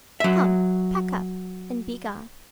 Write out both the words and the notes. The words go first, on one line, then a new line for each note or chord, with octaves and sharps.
Come! pack up; and begone.
F#3 E5